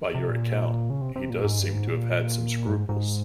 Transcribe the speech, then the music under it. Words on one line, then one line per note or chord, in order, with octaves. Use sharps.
By your account, he does seem to have had some scruples.
C3
A#2
C#3
C3
C3
A#2
G#2
G2
G#2
A#2
G2
G#2
G#2